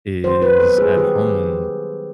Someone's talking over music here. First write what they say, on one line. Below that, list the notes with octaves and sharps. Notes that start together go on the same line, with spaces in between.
is at home,
D#3 C5
B4
F#3 B3 A4
G#4
D#3 G4